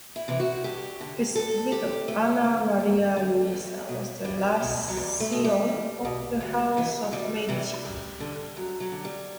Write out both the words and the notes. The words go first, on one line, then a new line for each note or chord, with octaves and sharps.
His widow Anna Maria Luisa was the last scion of the House of Medici.
E4
C3 E3
F#4
G2 G4
D3
G2 A4
D3 G4
E2 A3
D3
E2
D3
E2
B2
E2 G3
B2
F#3
E2 G3
A3
B2
G3
E2
B2
D2
C3 E3
D2 G3
C3 E3
F#2
D3
F#2 F#3
F#3
D3
G3